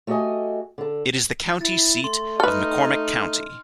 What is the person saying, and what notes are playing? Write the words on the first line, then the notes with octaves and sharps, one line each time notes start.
It is the county seat of McCormick County.
A3 F#4 G4 C#5 D#5 G#5
D3 A4
E4 A6
A3 C6
D#4 A4 B4 F6